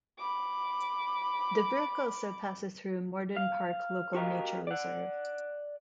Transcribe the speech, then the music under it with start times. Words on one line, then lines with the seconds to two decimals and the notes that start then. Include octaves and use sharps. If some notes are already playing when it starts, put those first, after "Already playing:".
The brook also passes through Morden Park Local Nature Reserve.
0.19 B5 D6
3.37 F5
4.15 F#4 G4 A#4 C5 D#5 F5
4.67 D5 F#5